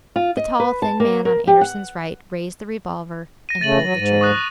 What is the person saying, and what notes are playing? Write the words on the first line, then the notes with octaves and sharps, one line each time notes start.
The tall thin man on Andersen's right raised the revolver and pulled the trigger.
F4
D#5
B4
A5
A#3
A#4
G4
F#5
A#6 D#7
C#3 A3 A6 D#7 F#7
F#3
G#2
C#6 D#6 F#6